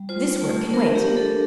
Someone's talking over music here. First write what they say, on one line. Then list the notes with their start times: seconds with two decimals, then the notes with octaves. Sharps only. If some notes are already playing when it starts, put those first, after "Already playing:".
'This work can wait.
Already playing: G3
0.09 F4 C5
0.41 A3
0.74 D4 A#4
0.95 G4
1.07 D4
1.17 A4